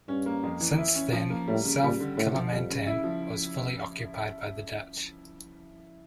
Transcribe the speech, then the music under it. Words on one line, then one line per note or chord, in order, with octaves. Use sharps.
Since then, South Kalimantan was fully occupied by the Dutch.
G2 C#4
A#3
F2
E3
E4
C#4
F3
A#3
A2 G3
C#3
A#2 G3
D3
A2 D3
F3
F2 G3
C#3
E4
F3